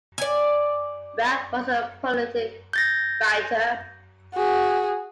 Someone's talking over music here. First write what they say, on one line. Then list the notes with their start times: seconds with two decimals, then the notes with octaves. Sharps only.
Wragg was a prolific writer.
0.18 D5 G#5
2.73 G6 A6 A#6
4.34 F#4 G#4